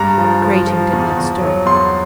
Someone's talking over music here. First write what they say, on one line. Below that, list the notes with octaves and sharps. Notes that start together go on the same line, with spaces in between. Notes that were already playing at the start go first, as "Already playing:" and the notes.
The grating did not stir.
Already playing: G2 A#5
F3
F3
F3
E2
E2
F#3
E2 C6